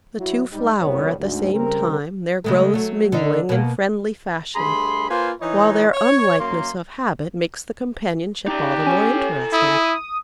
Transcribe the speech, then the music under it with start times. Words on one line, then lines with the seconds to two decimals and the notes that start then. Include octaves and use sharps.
The two flower at the same time, their growths mingling in friendly fashion, while their unlikeness of habit makes the companionship all the more interesting.
0.19 F#3 E4
0.52 G#2 G3 D#4
0.80 F#1 C2 G2 B3 A#4 C#5
1.20 D2 G#2
1.54 C#3 G3 C4 A#4
2.44 C#3 G#3 A3
2.74 F#3 A3
3.12 D3 D#4
3.49 B2 A#3
4.55 G2 A3 G#4 B5 C6
5.09 A#3 F4 B4 C5 F5 G#5
5.41 E3 D#4 C#5
5.94 C#5
6.39 F#2 A#3 C6
8.48 D#4 G4 D5
8.87 C#4 A4 G#5
9.53 E4 D#6